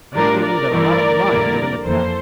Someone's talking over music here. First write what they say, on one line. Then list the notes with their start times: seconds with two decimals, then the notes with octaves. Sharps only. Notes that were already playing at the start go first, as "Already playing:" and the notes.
"I'm thinking that a lot of lions are in the path."
0.14 A2 G3 D4 F4 A#4 D5
0.44 A#4 D5
0.72 G2 E3 A3 E4
1.27 F2 D3 G3 A#3 E4
1.84 F2 E3 A#3 A4 C5